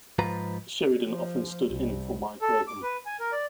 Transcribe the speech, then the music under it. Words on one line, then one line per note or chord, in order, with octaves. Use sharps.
Sheridan often stood in for Mike Graham.
G#2 F3 F4 B4 A#5
F3
C2
A4
D6
B4
G#5
A#4
D5